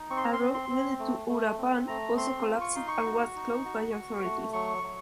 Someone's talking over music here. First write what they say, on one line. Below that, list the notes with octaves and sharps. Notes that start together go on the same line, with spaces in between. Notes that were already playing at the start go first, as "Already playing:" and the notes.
A road leading to Uruapan also collapsed and was closed by authorities.
Already playing: D#4
C4 C#6
C6
A#5
C6
C4
C6
C4
A3
A3
C4
A3 A#5
C4 C6
F4
C#6
D#4 C6
C#6
F#4
D#4
F#4
F#4
A3
F#3 C#6
F#3